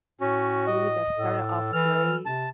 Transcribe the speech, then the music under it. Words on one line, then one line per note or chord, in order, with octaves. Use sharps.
movies that started off great.
A2 C#4 F#4
D#5
A2 A4
E3 F6
C3 A5